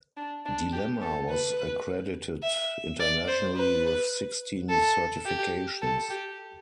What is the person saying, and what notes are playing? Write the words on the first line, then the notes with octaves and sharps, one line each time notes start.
"Dilemma" was accredited internationally with sixteen certifications.
D4
D4
G4
A4
B4
E5
D5
C5
B4
A4
G4
A4
G4